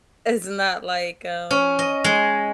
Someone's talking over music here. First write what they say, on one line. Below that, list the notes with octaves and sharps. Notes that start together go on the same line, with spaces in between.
it's not like, um,
C#4
D#5
G#3